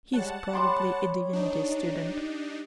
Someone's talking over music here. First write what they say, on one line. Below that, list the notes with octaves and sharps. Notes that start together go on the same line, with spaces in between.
He's probably a divinity student.
G3 G#3 C#5 F#5 A5
G3 C#5 C6 D6
D4 D#4